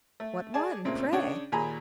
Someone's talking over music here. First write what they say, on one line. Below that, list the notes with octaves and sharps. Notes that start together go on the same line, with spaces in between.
"What one, pray?"
A3
G#4 D5 G#5 A5
A#2 C#3 G#3 A3 C4
C#3 D4 C#5 G5
D#2 A#2 G#4 G#5 A#5 B5